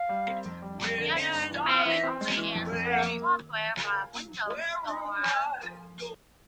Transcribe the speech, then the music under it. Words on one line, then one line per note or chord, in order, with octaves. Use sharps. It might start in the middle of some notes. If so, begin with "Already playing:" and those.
Users may only install software from Windows Store.
Already playing: F5
G3
C4
F2
G3
F2
D3
C4
G2
E3
C4
E3 E5
C4
G#3
E3
F2
F2
A#3 F#5